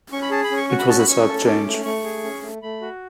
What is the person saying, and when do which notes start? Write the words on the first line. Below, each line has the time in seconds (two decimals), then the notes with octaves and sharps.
It was a sad change.
0.12 C#4 C#6
0.22 B5
0.31 G#4 A5
0.44 B5
0.51 C#4
0.57 C#6
0.69 F#4 C#6
0.79 B5
0.89 C#4 A5
0.99 B5
1.08 C#4 C#6
1.28 A4
1.46 C#4 D6
1.66 A3
1.85 A3 C#6
2.04 G#4
2.24 C#4
2.42 A3
2.62 A3 B5
2.82 F#4